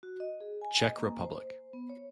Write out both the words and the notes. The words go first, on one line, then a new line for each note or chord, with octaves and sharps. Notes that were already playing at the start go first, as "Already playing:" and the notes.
Czech Republic.
F#4
D#5
G#4
G#5
D#5
A#3
C5
B3
C#5